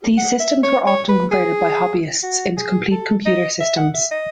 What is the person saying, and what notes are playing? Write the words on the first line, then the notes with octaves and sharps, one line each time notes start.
These systems were often converted by hobbyists into complete computer systems.
F#5
E5
C#5
C#5
B4
G#4
F#4
G#4
A4
D#5
E5
F#5
E5
D#5